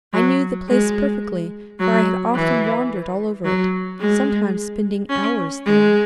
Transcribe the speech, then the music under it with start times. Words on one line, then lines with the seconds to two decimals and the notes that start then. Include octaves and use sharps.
I knew the place perfectly, for I had often wandered all over it, sometimes spending hours there.
0.13 F#3
0.69 G#3
1.80 F#3
2.35 E3
3.45 F#3
4.00 G#3
5.09 C#4
5.65 G#3